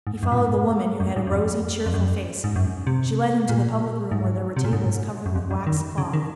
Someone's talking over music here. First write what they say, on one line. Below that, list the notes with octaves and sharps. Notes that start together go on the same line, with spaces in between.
He followed the woman, who had a rosy, cheerful face; she led him to the public room where there were tables covered with waxed cloth.
G#2
F#2
A#2
G#2
F#2
G#2
F#2
F2
F2
F#2
G#2
F#2
C3
A#2
G#2
C3
A#2
G#2
F#2
F2
F#2
D#3
C#3
D#3